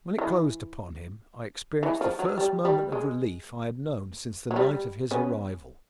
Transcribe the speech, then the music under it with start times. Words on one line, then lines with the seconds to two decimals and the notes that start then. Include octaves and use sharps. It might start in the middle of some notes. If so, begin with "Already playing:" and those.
When it closed upon him, I experienced the first moment of relief I had known since the night of his arrival.
0.18 E3
1.83 E3
2.01 F3
2.19 F#3
2.38 G3
2.65 G3
2.92 G#3
4.51 F#3
4.56 G3
5.11 B3 C#4